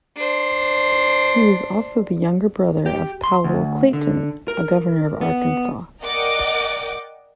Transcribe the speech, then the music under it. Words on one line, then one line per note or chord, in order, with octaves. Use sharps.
He was also the younger brother of Powell Clayton, a Governor of Arkansas.
D4 C5
G4
C6
D2
D3
A#4
B3
A#4 D5 D#5 F#5 G5 D6